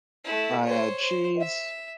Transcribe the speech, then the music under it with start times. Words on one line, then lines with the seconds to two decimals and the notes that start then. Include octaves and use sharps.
I add cheese.
0.25 A3 E4
0.64 C5 C#5
1.00 C5
1.40 E5